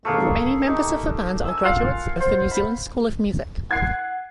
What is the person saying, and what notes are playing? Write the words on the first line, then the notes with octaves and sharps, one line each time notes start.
Many members of the band are graduates of the New Zealand School of Music.
A3 A#3 G#4
D#4 G4
G#5 E6
F4 F5 F#5
C5
B5
F#5 G#6 C7